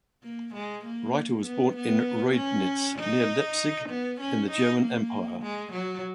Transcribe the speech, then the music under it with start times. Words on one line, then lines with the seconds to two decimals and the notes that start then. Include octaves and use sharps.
Reiter was born in Reudnitz, near Leipzig in the German Empire.
0.23 A#3
0.55 G#3
0.85 A#3
1.46 B3
1.76 B3
2.37 C#4
2.99 D#4
3.89 B3
4.21 C#4
4.51 D#4
4.81 A#3
5.42 G#3
5.72 F#3